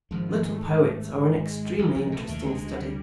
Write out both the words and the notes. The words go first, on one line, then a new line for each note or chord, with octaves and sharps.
Little poets are an extremely interesting study.
G#1 G#2 F3
F3
G#3
A3
G#3
A3
G#3
A1 A2 G3
A#1 A#2
G#3
B1 B2 A3
D#2 D#3
A3
D2 D3 G#3
F#3
G3